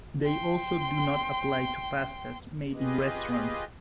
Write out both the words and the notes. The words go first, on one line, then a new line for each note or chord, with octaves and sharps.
They also do not apply to pastas made in restaurants.
G5 C6
F4 G4 G#4 B4 D#5